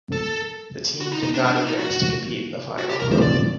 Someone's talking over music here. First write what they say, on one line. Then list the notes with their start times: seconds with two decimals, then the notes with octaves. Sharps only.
The team did not advance to compete in the final.
0.12 A4
1.01 F#4
1.12 D#4
1.23 D#4
1.34 D4
1.46 D4
1.56 D4
1.67 D#4
1.79 F#4
2.78 F#4
2.89 G4
3.00 A#4
3.12 C5
3.22 D5